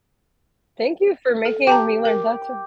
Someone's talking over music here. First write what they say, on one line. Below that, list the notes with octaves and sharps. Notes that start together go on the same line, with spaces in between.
Thank you for making me learn that's a
A4
G4 G5 A5 A#5
A#4